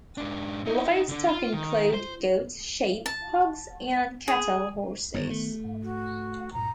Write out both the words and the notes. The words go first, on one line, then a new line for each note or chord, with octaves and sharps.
Livestock include goats, sheep, hogs, and cattle, horses.
G#2 D4
D#4 E4
D3 D4
F4
D#3
C5
A5
G#4
G1 G#2 D#3 B3
A3
G#2
F#4
C#2 G2 A#2 A#5